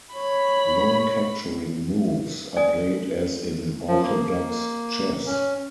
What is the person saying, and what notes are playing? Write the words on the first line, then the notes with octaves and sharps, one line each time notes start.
Non-capturing moves are played as in orthodox chess.
C#5 B5
D5 G#5 D#6
F3
A#3
A#3
C#4